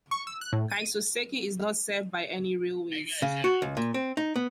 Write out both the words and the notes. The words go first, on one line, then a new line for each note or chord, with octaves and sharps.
Kisosaki is not served by any railways.
C#6
E6
F#6
A2
D#7
C#3
F#4
C#2
A#2
C4
D#4
B3